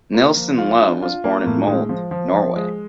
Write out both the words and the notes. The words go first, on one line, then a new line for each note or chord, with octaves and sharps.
Nilssen-Love was born in Molde, Norway.
A#3
F3
F4
D4
F4
A#3
A2
G#3
F3
F3
F3
G#3